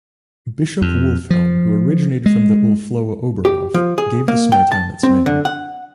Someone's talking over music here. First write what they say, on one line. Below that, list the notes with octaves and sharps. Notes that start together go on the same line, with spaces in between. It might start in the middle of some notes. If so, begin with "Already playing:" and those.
Bishop Wolfhelm, who originated from the Ulfloa Oberhof, gave the small town its name.
F2
F3
G#3
G4
F3
G#4
A#3
G5
A5
C4
D3
F#5